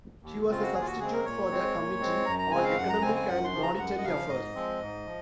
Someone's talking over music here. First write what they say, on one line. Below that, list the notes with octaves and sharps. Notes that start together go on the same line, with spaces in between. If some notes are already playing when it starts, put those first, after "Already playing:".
She was a substitute for the Committee on Economic and Monetary Affairs.
D#2
C#3 G#3 C4 F4
F#4
D#2 G#4
F4
F#4
C#3 G#3 C4 G#4
A#4
A#2 C#5
G#3 C4
A#2
G#3 C4
F#2 A#5
A#5
C#3 G#3 C4 G#5
F5
F#2 F#5
A#5
C#3 G#3 C4 G#5
G#5
F#2 F#5
C6
C#3 F3
A#5
F#2 F#5
D#5
C#3 F3 F5
G#2 D#5
F3 G#3 C4
G#2
F3